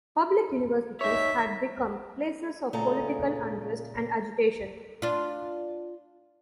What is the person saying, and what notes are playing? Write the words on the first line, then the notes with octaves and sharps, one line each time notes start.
Public universities had become places of political unrest and agitation.
D#4 C#5 E5
A#2 C#3 A3 G#4 A4 A#5
D4 F4